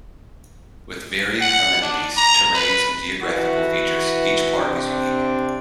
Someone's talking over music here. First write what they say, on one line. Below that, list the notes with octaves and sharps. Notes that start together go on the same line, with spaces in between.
With varying amenities, terrains and geographical features, each park is unique.
F#5
D4
A#5
B4
E3 F#4
C3 C4 D4